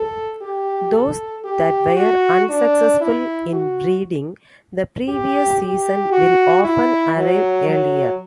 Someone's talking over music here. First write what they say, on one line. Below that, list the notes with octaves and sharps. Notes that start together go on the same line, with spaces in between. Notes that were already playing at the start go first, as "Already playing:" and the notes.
Those that were unsuccessful in breeding the previous season will often arrive earlier.
Already playing: A4
G4
A4
G4
F#4
D4
E4
F#4
G4
G4
F#4
E4
F#3
F#3